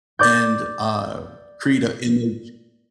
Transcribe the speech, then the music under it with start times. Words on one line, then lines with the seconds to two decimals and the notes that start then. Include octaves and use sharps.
and, uh, create a image
0.19 D5 D6 G6